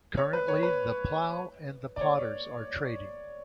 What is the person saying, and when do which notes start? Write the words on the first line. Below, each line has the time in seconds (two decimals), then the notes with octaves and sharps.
Currently The Plough and The Potters are trading.
0.17 C#5
0.33 B4
0.48 C#5
0.63 B4
1.96 D5
2.01 C#5